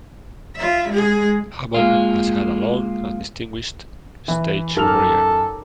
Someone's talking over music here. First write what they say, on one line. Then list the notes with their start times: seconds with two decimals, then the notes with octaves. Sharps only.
Hammond has had a long and distinguished stage career.
0.56 F4 E5
0.88 G#3 G#4
1.74 G#3 A#3 F4
4.28 E3
4.77 F#2 D#4 G4 A4 A#4 F6 F7